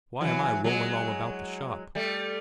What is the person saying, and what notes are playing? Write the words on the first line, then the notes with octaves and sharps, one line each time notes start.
Why am I rolling all about the shop?
E3 F#3
F#3 G#3
G3 A3